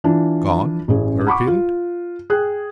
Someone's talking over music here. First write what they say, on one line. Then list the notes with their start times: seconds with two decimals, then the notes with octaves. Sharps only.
"Gone?" I repeated.
0.04 E3 D4 F4
0.88 A1 C#4 G#4
1.27 F#5 B5 C#6 D6
1.47 F4
2.30 G#4 G5 F#6